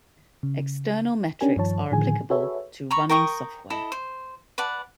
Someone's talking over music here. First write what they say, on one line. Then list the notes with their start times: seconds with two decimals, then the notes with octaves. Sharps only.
External metrics are applicable to running software.
0.43 C#3
1.41 C#4 D4 G4 A#4 G#5
1.56 G2 D#3 F3 C#5 A5
1.92 A2 D3 D#3 F3 G#4 G#5
2.30 F#4 G#4 A4 B4 C#5 E5
2.91 A#5 B5 C#6
3.09 A#4 G5 C#6 D#6
3.70 E4 A4 D#5
3.92 C5
4.58 B4 D5 F#5 A5